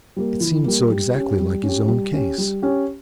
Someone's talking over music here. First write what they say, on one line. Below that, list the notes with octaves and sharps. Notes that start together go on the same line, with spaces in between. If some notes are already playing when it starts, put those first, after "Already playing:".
It seemed so exactly like his own case.
G3 A#3
E3
G3 A#3
G3
C#4 G4
G3
C#4
G4
G3
C#4 G4
G3
C#4 G4